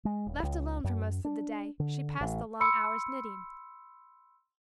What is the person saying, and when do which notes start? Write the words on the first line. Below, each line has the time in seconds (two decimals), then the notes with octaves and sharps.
Left alone for most of the day, she passed the long hours knitting.
0.05 G#3
0.26 D#1
0.43 C#2
0.84 F#2
1.25 D4
1.80 D3
2.21 A1
2.60 B5 C6 E6 C#7